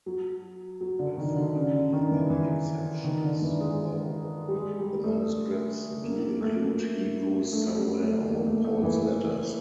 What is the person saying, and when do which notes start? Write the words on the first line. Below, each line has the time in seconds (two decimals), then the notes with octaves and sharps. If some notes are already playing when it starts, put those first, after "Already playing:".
With hardly any exceptions, though, the manuscripts do include Hebrews somewhere among Paul's letters.
0.06 F#3
0.81 F#3
0.99 D3
1.17 D#3
1.36 D3
1.55 C#3
1.74 D3
1.93 D#3
2.11 E3
2.30 E3
3.04 D#3
3.23 D3
3.42 E3
3.60 G#3
4.48 G3
4.54 G#3
4.79 G3
5.04 A3
6.03 A#3
6.41 A3
7.53 A3
7.78 G3
8.03 A3
8.28 A#3
8.46 A3
8.64 A3
8.83 E3